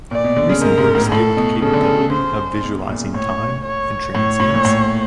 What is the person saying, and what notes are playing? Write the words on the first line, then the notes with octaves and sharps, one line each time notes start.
Recent works deal with the capability of visualizing time and transience.
A#2 D5
B2
D3
C#3
G#2 A#4
G#2
A2
A2 A4
B2
C#3 A4
D3
C#3
C5
B2
A#2
A2 C#5
C#5
A2 C#5
A2
A#2
A2